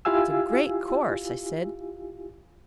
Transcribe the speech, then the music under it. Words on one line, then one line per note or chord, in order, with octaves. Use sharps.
"It's a great course," I said.
E4 F4 G4 F5 G#5 E6